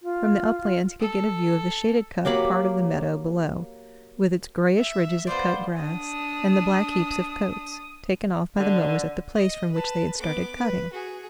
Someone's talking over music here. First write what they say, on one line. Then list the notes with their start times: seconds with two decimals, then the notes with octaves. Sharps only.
From the uplands he could get a view of the shaded cut part of the meadow below, with its grayish ridges of cut grass, and the black heaps of coats, taken off by the mowers at the place from which they had started cutting.
0.02 F4
1.01 A4
2.25 F#3 A#3 G4 B5
4.79 E5
5.27 B3 F4 C5 D5
5.83 D4 D#6
8.57 D3
9.35 D#5
9.72 B4 A5
10.18 B3 D6
10.57 B4
10.93 F#4 G#4